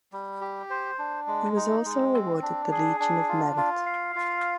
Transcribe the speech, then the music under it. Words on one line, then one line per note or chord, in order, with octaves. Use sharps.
He was also awarded the Legion of Merit.
G3
G4
C5
D4
G#3
D#4
G#3
C4
D4
G#4
D4
F4
F4
F5
F4